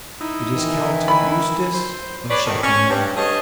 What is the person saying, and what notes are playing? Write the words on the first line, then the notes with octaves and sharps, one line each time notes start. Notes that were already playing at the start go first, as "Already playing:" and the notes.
"It is Count Eustace of Chateau Noir."
D#4 E4
D#3 E3
E4 B5
C5
G#4 B4 C#5 D5
A2 C3 D#3
C#4
G2 C4
G2 A3 G#4 C#5 D#5